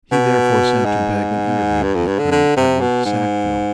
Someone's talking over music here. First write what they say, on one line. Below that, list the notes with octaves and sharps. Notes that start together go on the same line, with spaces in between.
He therefore sent to beg an interview with Colonel Edward Sackville.
B2
G#2
G2
F2
G2
D3
D3
C3
B2
G#2